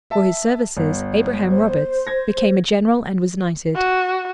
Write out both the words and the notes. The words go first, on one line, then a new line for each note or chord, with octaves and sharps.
For his services, Abraham Roberts became a general and was knighted.
E5 A5
G1
C5
G#6 A#6
F#4